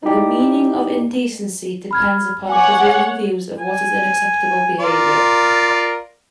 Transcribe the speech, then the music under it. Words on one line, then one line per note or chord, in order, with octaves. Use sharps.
The meaning of indecency depends upon prevailing views of what is unacceptable behaviour.
D#4 E4 G4 D5
B5 F6 G#6
C#5 F#5 G#5 D6
G#5
F4 A#4 D5